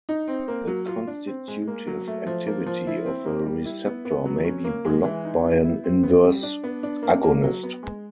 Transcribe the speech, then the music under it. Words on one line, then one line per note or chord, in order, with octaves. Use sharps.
The constitutive activity of a receptor may be blocked by an inverse agonist.
D#4
C4
A#3
F#3
F4
D4
C4
G#3
A#3
F#3
A3
F3
A#3
F3
E4
C4
A#3
G3
E4
B3
B3
F#3
C#4
A#3
G#3
E3
D#4
B3
E4
C4
B3
G3
D4
B3
D4
A#3
A#3
F#3
B3
G#3